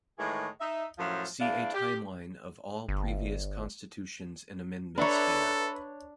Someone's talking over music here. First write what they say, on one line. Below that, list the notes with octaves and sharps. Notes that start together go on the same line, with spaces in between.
See a timeline of all previous constitutions and amendments here.
A2 D#3 E3 G#3 G#4
D#4 E5
F#2 A2 F3
E2 D4 E4 D5 F5
G4
G1
D4 A4 B4 C#5 E5 A#5